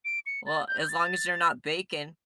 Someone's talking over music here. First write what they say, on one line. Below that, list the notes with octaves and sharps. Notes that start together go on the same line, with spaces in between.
Well, as long as you're not baking.
D7
C#7
A6
G6
G6
A6